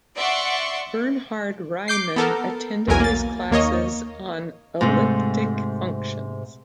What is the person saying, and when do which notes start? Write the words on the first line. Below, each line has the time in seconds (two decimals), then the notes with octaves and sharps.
Bernhard Riemann attended his classes on elliptic functions.
0.16 D5 E5 F#5 C6 C#6
1.88 D6 G6 C7
2.16 B3 A4 A#4
2.87 B1 E2 F#3 A#4 G#5
3.00 A#3 A6
3.51 D#2 A#3 C#5 D#5
4.81 G#2 C3 A3